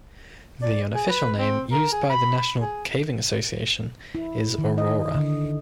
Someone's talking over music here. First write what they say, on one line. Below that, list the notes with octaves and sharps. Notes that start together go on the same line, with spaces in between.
The unofficial name used by the national caving association is "Aurora".
D5
G#4
B4
C4
A#4
G#4
B5
B5
G#4
E4
D#3
D#5
D3